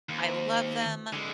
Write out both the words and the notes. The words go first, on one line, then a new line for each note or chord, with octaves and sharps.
I love them,
D#2 F3 C4
B2 D4 E4
D3 G#3